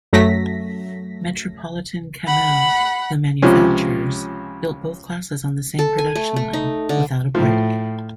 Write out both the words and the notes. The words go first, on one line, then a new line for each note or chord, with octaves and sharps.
Metropolitan-Cammell, the manufacturers, built both classes on the same production line, without a break.
F#2 F#3 A3 A#6 B6
F#5 B5
C#2 C3 F3 C#4
A4
G#5
A3
A3
D#4
D3
A2 F3